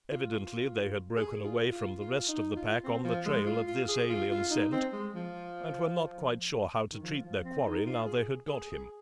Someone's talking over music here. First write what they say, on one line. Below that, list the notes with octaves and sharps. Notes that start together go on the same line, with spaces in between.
Evidently they had broken away from the rest of the pack on the trail of this alien scent, and were not quite sure how to treat their quarry now they had got him.
F4
F4
G#4
F4
F4
F4
D#4
F4
C4
F3
G#3
F4
F4
G#4
F4
F4
D#4
C4
G#3
F3
D#3
F3
F3
C4
D#4
F4
G#4
G#4
G#4